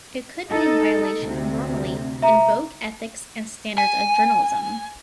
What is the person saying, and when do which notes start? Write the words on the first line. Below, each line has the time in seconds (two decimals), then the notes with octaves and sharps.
It could be in violation of normally in vogue ethics and standards of journalism.
0.49 D#4 A4 D#5
1.22 D2 C3
2.22 E5 A#5
3.78 G#5